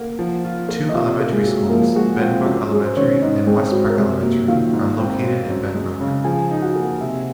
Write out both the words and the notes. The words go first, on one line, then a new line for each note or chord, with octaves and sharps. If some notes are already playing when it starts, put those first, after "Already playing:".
Two elementary schools, Benbrook Elementary and Westpark Elementary, are located in Benbrook.
Already playing: A#3 F#5
F3
F4
A#3
D#5
C3 F4 F5
A#3
G#3 G#4
F#3
F3 A#3 A#4
G#3 F#4 G#4
C4 F4
F#2 F4
F#3 G#3 G#4
C5
D#3 C#4 C#5
G#2 D#4 D#5
G#3 C4 G#4
F#3 F#4
A#4
C3 G#3 G#4
F#3 A#3 A#4
D#3 F4 F5
G#2
C4
F#3
F#2
G#3
C#3
F3 G#4 G#5
D#4
F#4 F#5
A#3
C3